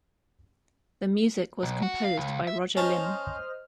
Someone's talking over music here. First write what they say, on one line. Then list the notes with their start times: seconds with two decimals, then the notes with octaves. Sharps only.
The music was composed by Roger Limb.
1.63 B1
1.83 F#4
2.04 F5
2.18 C#2
2.47 E5
2.77 C#4 C5 D#5 A5 F6